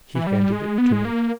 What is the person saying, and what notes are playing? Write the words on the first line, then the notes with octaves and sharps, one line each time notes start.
He handed it to me.
E3
G3
G#3
B3
G#3
A#3